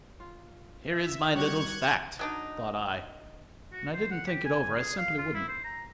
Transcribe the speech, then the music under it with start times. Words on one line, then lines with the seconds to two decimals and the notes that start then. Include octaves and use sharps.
'Here is my little fact,' thought I, and I didn't think it over, I simply wouldn't.
0.20 F4
0.89 E5
1.35 G3 F#4 G4 C#5 C#6 F#6 G#6
2.19 F#3 D4 D#4
3.73 F#4
3.94 C5
4.11 F#5
4.26 G4
4.45 G#5
4.75 G#4
4.97 F5
5.18 F4
5.34 E4
5.48 C5
5.64 A#5